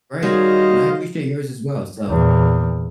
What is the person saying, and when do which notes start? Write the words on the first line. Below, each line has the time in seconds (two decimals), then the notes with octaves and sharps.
Right, and I appreciate yours as well, so,
0.23 D#3 F#3 G3 F#4 G#4 C5 D#5 F5
2.08 E2 A#2